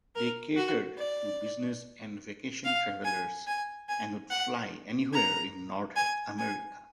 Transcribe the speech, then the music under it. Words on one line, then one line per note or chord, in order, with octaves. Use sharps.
They catered to business and vacation travellers and would fly anywhere in North America.
A#4
F#4
D5
F5
G#5
G#5
G#5
F#5
A#5
G#5
G#5